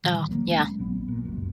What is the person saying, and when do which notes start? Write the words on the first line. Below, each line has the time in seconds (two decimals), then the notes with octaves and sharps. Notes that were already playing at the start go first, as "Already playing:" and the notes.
Oh, yeah.
0.04 A#2 D#3 E3 G3
0.28 D2 F#3 A#3
0.50 G#3 A3 C#4
0.79 A#1 F#3 B3
1.08 A#2
1.25 F1 C#2 F#2